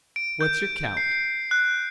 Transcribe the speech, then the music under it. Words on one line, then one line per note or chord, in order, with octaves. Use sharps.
"What's your count?"
D7
G6
C7
F#6